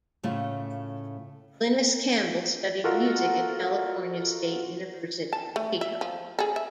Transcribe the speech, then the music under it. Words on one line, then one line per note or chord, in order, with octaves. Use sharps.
Glynnis Campbell studied music at California State University, Chico.
A2 C#3 A3 F4
F4 F#4 A4 A#4 D#5 F#5
A5
A3
E5
F3
G#4 A4
E5